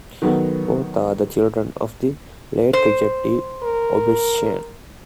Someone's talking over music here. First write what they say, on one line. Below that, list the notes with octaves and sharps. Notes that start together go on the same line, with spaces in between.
Both are the children of the late Richard D. Obenshain.
D#3 F#3 B3 D#4 A4
C5
A#4